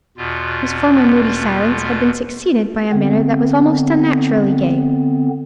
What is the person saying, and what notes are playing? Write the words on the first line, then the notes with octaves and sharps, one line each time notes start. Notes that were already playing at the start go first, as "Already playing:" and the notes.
His former moody silence had been succeeded by a manner that was almost unnaturally gay.
E2 B2 F4
D3 B3 C4